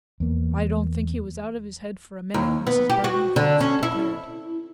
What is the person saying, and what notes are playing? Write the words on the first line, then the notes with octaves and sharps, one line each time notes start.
"I don't think he was out of his head for a minute, Mrs. Burden," Fuchs declared.
E2 A#3
D#2
B3
G4
F#4
D3
C#4
E4